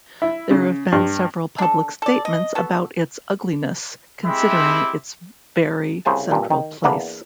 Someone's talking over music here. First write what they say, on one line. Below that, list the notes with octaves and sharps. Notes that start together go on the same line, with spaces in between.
There have been several public statements about its ugliness, considering its very central place.
E4
C#3
G2
D4 A4
A4 D5
D#5
B3 F#4 A4
G#3 C4 E4 G4 E5 B5
C2 C#3 C5 G#5 A5
G2 A#2
D#3
E2 A#3 B3 D4